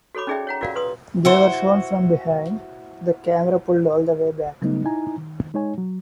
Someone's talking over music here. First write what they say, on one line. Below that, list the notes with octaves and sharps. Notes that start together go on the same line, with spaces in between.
They were shown from behind; the camera pulled all the way back.
F#4 A4 C#5 B5 D6
C#4 D#4 G#4 D5 E5 G5
C#5 F#5 A#5
F4 F#4 A#4 D5 F5 F#5
B4 C6 D#6
E4 F#4 C5
C#3 F#3 G3 A3 B3 D#4
D#4 E4 G#5 A#5
D#3
G#3 D#4 C#5 G#5
F#3